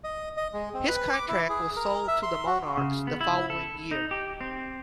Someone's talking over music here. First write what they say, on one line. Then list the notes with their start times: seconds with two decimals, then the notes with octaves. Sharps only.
His contract was sold to the Monarchs the following year.
0.04 D#5
0.37 D#5
0.54 G#3
0.74 C4
0.88 B4
1.13 D6
1.28 E4
1.49 G#4
1.77 A#4
2.08 E5
2.23 C6
2.46 F#4
2.77 C#3
3.07 B3
3.21 E4
3.50 A4
3.91 D#4
4.11 G4
4.41 C4